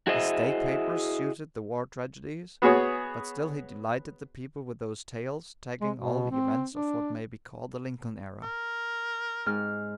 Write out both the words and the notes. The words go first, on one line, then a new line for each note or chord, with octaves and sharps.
His state papers suited the war tragedies, but still he delighted the people with those tales, tagging all the events of what may be called the Lincoln era.
E4 F#4 G#4 C5 D#5 E5
B3 F#4 G#4 C#5
G#3
B2
C4
D4
A#4
G#2 F6